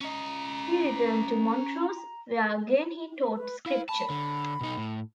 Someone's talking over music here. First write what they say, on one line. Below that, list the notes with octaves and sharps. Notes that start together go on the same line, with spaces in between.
He returned to Montrose, where again he taught Scripture.
C#4 D#5 A#5
B4
E4 F5
A5 B5
D3
B2 D#4
A2